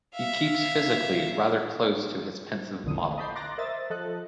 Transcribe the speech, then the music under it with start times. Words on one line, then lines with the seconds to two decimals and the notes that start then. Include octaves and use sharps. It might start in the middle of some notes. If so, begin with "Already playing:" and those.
He keeps physically rather close to his pensive model.
0.14 E5 F5
2.84 A#1 E2 D3 D#6
3.02 A3
3.18 D#5 A5 B5 D6 G6 C7
3.35 A#5 C6 D6 F#6 A6 A#6
3.58 A#4 C5 D#5 E5 A6
3.90 F3 A4 D#5 F#6